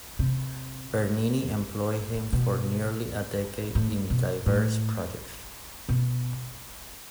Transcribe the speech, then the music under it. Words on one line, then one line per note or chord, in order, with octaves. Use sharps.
Bernini employed him for nearly a decade in diverse projects.
C3
B2
A2
B2
A2
B2